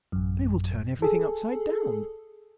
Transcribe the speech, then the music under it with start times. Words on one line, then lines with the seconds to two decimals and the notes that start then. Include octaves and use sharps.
"They will turn everything upside down."
0.12 A1 F#2
1.02 G#4 A4